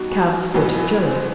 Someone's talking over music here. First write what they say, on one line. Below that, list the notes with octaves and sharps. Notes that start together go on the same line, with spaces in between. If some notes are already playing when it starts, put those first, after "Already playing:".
Calf's Foot Jelly.
Already playing: E2 D#3 G3 B3 D#4 F#4
E2 B2 F#3 E4
C5